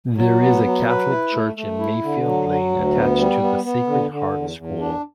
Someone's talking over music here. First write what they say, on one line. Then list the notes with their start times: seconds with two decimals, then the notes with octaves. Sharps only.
There is a Catholic church in Mayfield Lane attached to the Sacred Heart School.
0.17 F#3
0.40 B3
0.64 F#3
0.87 B4
1.10 E4
1.33 A3
1.56 A3
1.79 E4
2.03 D3
2.25 F#3
2.49 F#3
2.72 D2
2.95 B3
3.18 G3
3.42 B3
3.64 B3
3.87 D3
4.11 D3
4.33 E2
4.57 E2
4.80 D4